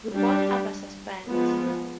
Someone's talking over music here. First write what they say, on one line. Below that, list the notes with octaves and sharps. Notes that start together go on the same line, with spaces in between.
We both abhor suspense.
G3 D4 G4
F3 G#3 B3